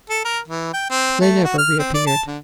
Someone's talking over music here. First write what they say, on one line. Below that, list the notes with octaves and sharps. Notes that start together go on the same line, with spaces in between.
They never reappeared.
A4
A#4
E3
G5
C4
A3
F#4
F6
C4
D5
A5
D3